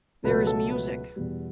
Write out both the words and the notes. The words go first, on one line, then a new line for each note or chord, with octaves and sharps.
There is music.
C#2 B2 F#3 A3 B4
A4
B4
E2 B2 G3